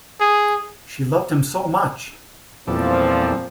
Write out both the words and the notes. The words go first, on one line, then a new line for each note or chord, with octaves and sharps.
She loved him so much!
G#4
E2 A#2 F3 G3 C4 A4